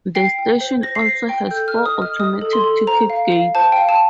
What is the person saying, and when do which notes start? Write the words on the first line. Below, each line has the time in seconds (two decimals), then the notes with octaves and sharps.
The station also has four automatic ticket gates.
0.15 G5 C7
0.39 G5
0.61 C5
0.83 C5 A#6
0.95 C7
1.06 C5 A#6
1.29 G5
1.51 A4 G6
1.68 F6
1.75 D#5
1.86 D#6
1.97 D#5 F6
2.19 D#5 D#6
2.41 A4
2.53 C6
2.64 A4
2.87 C5 A#5
3.10 F5
3.32 F5
3.55 C5 A5
3.72 G5
3.77 F5
3.89 A5